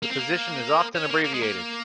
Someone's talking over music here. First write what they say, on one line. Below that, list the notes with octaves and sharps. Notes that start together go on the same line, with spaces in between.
The position is often abbreviated.
A#3
C4
A#3
C#4
A#3
A#3
G#3
A#3